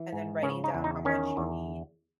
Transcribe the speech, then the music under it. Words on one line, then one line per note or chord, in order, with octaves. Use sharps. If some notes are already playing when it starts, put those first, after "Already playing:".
and then writing down how much you need
Already playing: E3
G#2
C#3 C#4
D#4
E2
D#4
D#3 C#4
E2